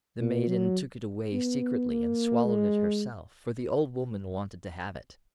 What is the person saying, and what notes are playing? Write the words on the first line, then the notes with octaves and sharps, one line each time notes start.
The Maiden took it away secretly and swallowed it herself, for the Old Woman wanted to have it.
A#2
F#3
B3
A#3
G#3